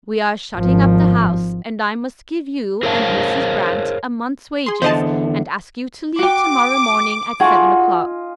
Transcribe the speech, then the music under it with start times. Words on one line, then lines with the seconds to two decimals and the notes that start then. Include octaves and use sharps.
We are shutting up the house, and I must give you and Mrs. Brant a month's wages and ask you to leave to-morrow morning at seven o'clock.
0.57 G#1 F3
2.83 G#4 A#4 C5 C#5 F5 A5
4.66 G#4 C6
4.82 E2 D3 C5 D#5 A5
6.19 F#4 G5 D6
7.40 F4 F#4 G#4 A4 D#5 G#5